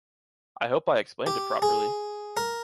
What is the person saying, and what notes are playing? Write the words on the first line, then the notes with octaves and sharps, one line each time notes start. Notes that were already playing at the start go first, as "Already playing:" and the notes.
I hope I explained it properly.
G4
G#4
A#4